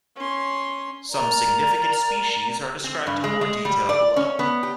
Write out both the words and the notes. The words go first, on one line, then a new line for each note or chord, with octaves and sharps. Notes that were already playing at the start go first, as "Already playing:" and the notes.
Some significant species are described in more detail below.
C#4 C6
A#4 D5 A#5
C4
G2
G#3
G#3
G3
D5
C#4
B3
G4